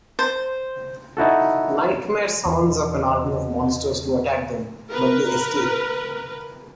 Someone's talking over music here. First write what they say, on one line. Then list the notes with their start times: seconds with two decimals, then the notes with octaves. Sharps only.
Nightmare summons up an army of monsters to attack them, but they escape.
0.19 C5
1.17 D#4 E4 F#4 A4
2.46 E2 B2
4.90 A#4 B4